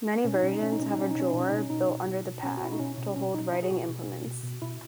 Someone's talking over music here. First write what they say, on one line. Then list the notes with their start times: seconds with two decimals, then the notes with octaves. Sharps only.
Many versions have a drawer built under the pad, to hold writing implements.
0.24 B2 C#4
0.34 D#4
0.42 B2 C#4
0.53 D#4
0.61 B2 C#4
0.72 D#4
0.79 B2 C#4
0.91 D#4
0.97 B2 C#4
1.11 D#4
1.15 B2 C#4
1.30 B2 D#4
1.39 C#4
1.49 B2 D#4
1.58 C#4
1.70 B2 D#4
1.88 B2
2.07 B2
2.24 B2
2.43 B2 C#4
2.57 F#4
2.61 B2 E4
2.72 D#4
2.79 B2 C#4
2.98 B2
3.16 B2 C#4
3.34 B2 D#4
3.52 B2 E4
3.63 G#4
3.70 B2 F#4
3.88 B2
4.07 B2
4.26 B2
4.43 B2
4.62 B2 E4